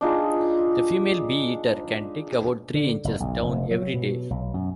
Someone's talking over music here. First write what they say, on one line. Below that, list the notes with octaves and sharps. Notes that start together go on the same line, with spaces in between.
The female bee-eater can dig about three inches down every day.
D4 D#4 F4 G#4
D3
F#1
B1
F1
F#3
B2
B1
F#2